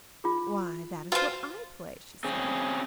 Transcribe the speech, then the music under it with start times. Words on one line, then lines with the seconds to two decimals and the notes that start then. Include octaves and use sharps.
'Why, that is what I play!' she said.
0.24 F4 G#4
1.12 F4 F#4 B4 C5
2.24 C4 C#4 G#4